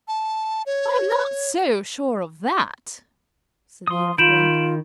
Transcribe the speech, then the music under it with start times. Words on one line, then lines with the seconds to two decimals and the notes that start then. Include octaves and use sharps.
'I'm not so sure of that,' said the Unicorn.
0.08 A5
0.66 C#5
3.87 F3 C6 D#6
4.18 D#3 F4 B5 G6 D7 E7 F#7